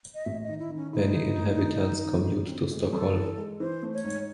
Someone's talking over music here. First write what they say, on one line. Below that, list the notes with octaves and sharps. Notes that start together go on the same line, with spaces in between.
Many inhabitants commute to Stockholm.
D#5
A1 E5
D#5
D#3
E4
D#3
C#4
D#4 E4
E4
A2
D#3
D#3
D#3
F#2
C4
G#3
F#2 A4
E3
G#3
E3 C5
A3
C#5
G#2